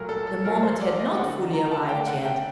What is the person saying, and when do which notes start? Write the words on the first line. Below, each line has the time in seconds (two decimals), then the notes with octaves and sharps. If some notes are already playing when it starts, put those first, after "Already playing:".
The moment had not fully arrived yet.
Already playing: A#2 F#3 A3 A#4
0.09 A4
0.27 A4
0.45 A#2 F#3 A3 A#4
0.63 C5
0.81 D5
0.99 D#5
1.17 D3 A3 D4 F#5
1.53 A#5
1.71 A5
1.89 D3 A3 D4 G5
2.07 F#5
2.25 G5